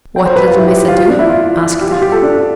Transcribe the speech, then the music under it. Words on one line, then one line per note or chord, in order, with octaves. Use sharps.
"What little Missa do?" asked the boy.
G5
C5
B4
F4
E4
G4
G4
F4
F4
D4
E4
F4
G4
F4
G4
A4
D4